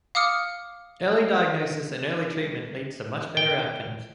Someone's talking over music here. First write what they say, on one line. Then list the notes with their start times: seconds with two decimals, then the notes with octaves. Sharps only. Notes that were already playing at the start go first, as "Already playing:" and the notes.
Early diagnosis and early treatment leads to much better outcomes.
0.15 F5 D6 D#6 F6 C#7
3.37 G5